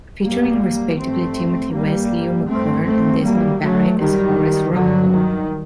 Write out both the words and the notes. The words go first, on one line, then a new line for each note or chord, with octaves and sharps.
Featuring respectively Timothy West, Leo McKern and Desmond Barrit as Horace Rumpole.
F#2 G3 A#3
G2 A3 C4
G2 G3 A#3
G2 A3 C4
A3 C4
F#2 G3 A#3
F#3 A3
F#2 D#3 G3
G2 D3 F#3
D#3